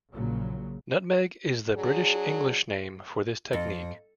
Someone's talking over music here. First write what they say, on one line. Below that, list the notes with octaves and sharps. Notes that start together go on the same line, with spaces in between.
Nutmeg is the British English name for this technique.
A#1 A#2 C#3 F#3
F#3 D4 G#4
F2